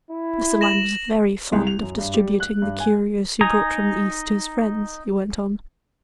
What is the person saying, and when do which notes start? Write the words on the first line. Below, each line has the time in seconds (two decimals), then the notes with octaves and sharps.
"Mr. Lyne was very fond of distributing the curios he brought from the East to his friends," he went on.
0.11 E4
0.61 A#6 E7 F#7
1.52 C2
1.67 F7
1.83 F#2
1.98 G2
2.14 G3
2.40 F#6
2.62 G2
2.80 G#5
3.41 D#4 G#5 A#5 D#6